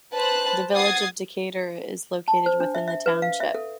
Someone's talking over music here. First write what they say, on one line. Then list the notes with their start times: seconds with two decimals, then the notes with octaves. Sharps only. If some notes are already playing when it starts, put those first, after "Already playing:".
The village of Decatur is located within the township.
0.13 B4 C5 A5 F#6
0.74 F#5 D#6 G#6 A6 C7
2.28 A5
2.46 C5
2.60 D4
2.75 E5
2.88 E5
3.06 B4
3.22 F5
3.40 E5
3.55 A4